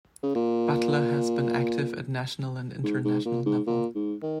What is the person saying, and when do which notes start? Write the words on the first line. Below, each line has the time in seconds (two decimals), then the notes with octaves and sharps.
Butler has been active at national and international level.
0.23 C#3
0.35 A#2
2.84 G#2
3.05 G#2
3.26 A#2
3.46 G#2
3.67 A#2
3.95 G#2
4.22 D#3